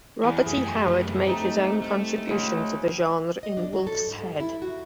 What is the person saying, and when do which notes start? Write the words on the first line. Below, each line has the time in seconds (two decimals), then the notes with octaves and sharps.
Robert E. Howard made his own contribution to the genre in "Wolfshead".
0.24 E2 D5 E5 G#5
0.46 F#2 A3 G4 G#4
1.25 C3 A3 D#4
1.81 A3
2.30 C#2
3.43 D#5
3.57 D4
3.73 F#3
3.87 A4
4.07 G#2
4.24 G3
4.40 E4
4.62 F#4